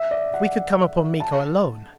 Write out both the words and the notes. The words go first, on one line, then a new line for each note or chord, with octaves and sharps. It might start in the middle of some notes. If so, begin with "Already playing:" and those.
If we could come upon Miko alone!
Already playing: E5
D5
F#5
A5